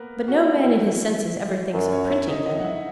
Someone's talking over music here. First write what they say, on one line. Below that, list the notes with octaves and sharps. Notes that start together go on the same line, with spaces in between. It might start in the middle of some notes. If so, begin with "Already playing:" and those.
But no man in his senses ever thinks of printing them.
Already playing: A#3 B3 A#4 B4
F#4
E4
F#2
C#4 C#5
E4 E5
D#4 D#5
D#4 D#5
F#5
E4 E5